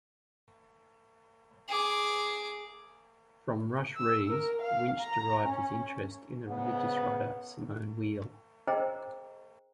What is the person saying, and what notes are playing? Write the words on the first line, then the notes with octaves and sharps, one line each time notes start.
From Rush Rhees, Winch derived his interest in the religious writer Simone Weil.
G#4 D6
E6
A#4
F5
A#5
C#4
G#2 C#3 B3
G#4 A#4 C5 D#5 G5 A#5